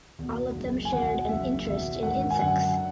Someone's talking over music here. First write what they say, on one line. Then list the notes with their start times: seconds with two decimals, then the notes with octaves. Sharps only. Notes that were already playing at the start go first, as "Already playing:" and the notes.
All of them shared an interest in insects.
0.19 E2 B2
0.55 F#1
0.85 G#5
0.92 E2 B2 F#5
1.29 F#1 E5
1.65 E2 B2 E5
2.03 G#1 F#5
2.30 G#5
2.39 F#2 D3 F#5